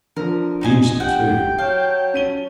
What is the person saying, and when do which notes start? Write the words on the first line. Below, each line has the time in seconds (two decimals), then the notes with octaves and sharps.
Deemster too!
0.16 D3 F3 A#4
0.61 D#4 D#5 G#5
1.00 G4 F#5 G5
1.27 G4
1.58 F#3 C#5 F5 A5
2.14 C#4 D#7 G7